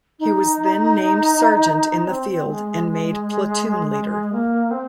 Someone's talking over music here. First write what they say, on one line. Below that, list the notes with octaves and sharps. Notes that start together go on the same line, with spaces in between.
He was then named sergeant in the field and made platoon leader.
D#4
C4
G#3
A#3
C4